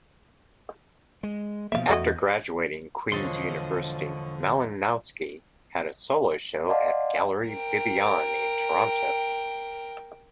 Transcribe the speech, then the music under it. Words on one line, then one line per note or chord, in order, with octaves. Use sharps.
After graduating Queen's University, Malinowski had a solo show at Gallery Bibbiane in Toronto.
G#3
B2 F3 A#3 E5 F5
E2 A3 F#4 D#5
E1 D3 F3 C#5 D#5 C6 A6
D5 D#5 F5 F#5 A5 C6
A#4 G5